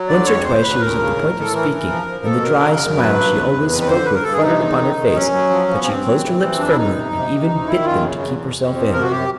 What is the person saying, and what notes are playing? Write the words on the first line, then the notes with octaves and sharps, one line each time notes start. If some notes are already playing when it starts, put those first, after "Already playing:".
Once or twice she was at the point of speaking, and the dry smile she always spoke with fluttered upon her face; but she closed her lips firmly and even bit them to keep herself in.
Already playing: F#3
D3 D5
F2 C#5
D2 C5
D2 B4
D2 A#4
C#3
A2
A2
A4
E3 A#4
E3
F3
F3
B2 A4
F#3 A#4
C#3
F#2
F#3 B4
G2
E2
E2
F2 B4
B4
D3 C5
G2 B4
A#4
G2 A4
G#4
C3 D#4
E2
D#3
D#3
F#3 C#4
F#3
F3
F3
B3
G2 C4
F#3
E3
E3
F2 D4
E4
F2 D#4
C3
C3
C3
D2
D#3 E4
F#2 F4
C#3
E2
F2
F2
F3
C3 A#4
F#4
F#2 G4